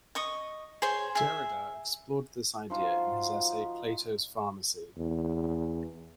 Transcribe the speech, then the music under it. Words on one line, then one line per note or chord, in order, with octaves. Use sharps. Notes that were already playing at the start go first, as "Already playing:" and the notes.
Derrida explored this idea in his essay "Plato's Pharmacy".
D#5 C#6 D#6
G#4 C5 C#5
G#4 E5
F3 D#4 F4 F#4
E2